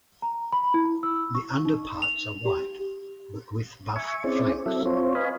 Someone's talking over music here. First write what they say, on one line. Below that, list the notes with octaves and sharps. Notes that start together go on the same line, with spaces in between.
The underparts are white, but with buff flanks.
A#5
B5
E4
E6
C#6
D#4
F7
G4
E5 G#5 C#6
C4 C#4 E4 G#4 C5 D5
F#3 C4 E4 A4 E5
C4 F4 C5 C#5
B4 D#5 F5 G#5 B5